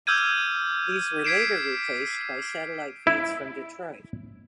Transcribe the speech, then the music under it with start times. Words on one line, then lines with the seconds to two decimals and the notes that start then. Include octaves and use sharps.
These were later replaced by satellite feeds from Detroit.
0.07 D6 E6 F6 G6 G#6 D#7
1.24 G#6 B6 C7 D7 E7
3.07 E4